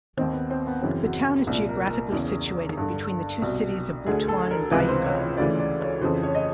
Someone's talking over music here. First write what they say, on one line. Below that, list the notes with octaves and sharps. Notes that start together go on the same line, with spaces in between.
The town is geographically situated between the two cities of Butuan and Bayugan.
D#2 D#3 C4
B3
C4
B3
F#2 C#3 E3 C4
F#4
C2 A#2
A#4
A#4
E2 C#3 E3
G2 D3
C2 B2
D2 D3 G#4
A4
A#4
C#2 C3 E3 B4
C5
C#5
C#5
D2 C#3 E3 D5
D5
C#5
F2 C#3 E3 C5
C#5
D#5